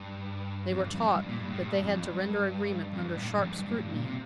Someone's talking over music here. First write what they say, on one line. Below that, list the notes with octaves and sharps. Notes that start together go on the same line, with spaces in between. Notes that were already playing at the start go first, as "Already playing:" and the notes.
They were taught that they had to render agreement under sharp scrutiny.
Already playing: G2
F2
G2
F2
G2
G2
A#2
G2
A2
G2
F2
G2
F2
G2
A2
G2
F2
G2
G2
A2
G2
A#2
C3